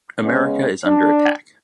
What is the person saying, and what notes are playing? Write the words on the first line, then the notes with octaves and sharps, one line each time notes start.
America is under attack.
C#3 G#3 B3 C#4
D4